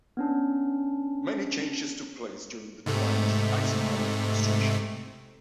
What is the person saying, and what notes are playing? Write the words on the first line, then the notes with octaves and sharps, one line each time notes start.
Many changes took place during the Dwight D. Eisenhower administration.
B3 C#4 D4
G#2 C3 A3